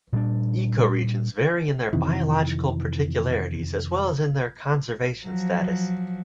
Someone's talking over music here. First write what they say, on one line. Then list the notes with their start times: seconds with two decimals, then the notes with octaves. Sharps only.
Ecoregions vary in their biological particularities, as well as in their conservation status.
0.13 A#2 G3 D4
1.93 F2 C3 D#3 E3
5.25 F3 F#3